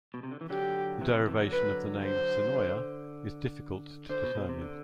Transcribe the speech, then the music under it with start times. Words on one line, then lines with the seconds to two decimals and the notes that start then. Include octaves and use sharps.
The derivation of the name "Senoia" is difficult to determine.
0.14 B2
0.23 C3
0.31 D3
0.41 E3
0.50 D3 F#3 G4
1.01 C3 E3
1.14 C3 E3
1.27 C3 E3
1.39 D3 F#3
1.52 B4
2.04 C5
2.56 D3
4.09 D3 C5
4.23 B2
4.35 B2
4.49 C3
4.61 D3